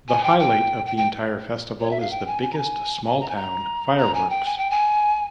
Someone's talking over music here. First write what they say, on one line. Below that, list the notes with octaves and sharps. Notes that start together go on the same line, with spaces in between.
The highlight of the entire festival is The Biggest Small Town Fireworks!
G#5
G5
G5
G5
G5
C#5
E5
F5
G5
G#5
G#5
A#5
G#5
G#5
A#5
G#5
A#5
A#5
G#5
G5
G#5
G5
G#5